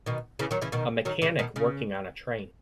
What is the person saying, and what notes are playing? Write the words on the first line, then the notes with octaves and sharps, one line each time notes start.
A mechanic working on a train.
B2 D#3
C#3 E3
D#3 F#3
C#3 E3
B2 D#3
D#3 F#3
C#3 E3
B2 D#3
C#3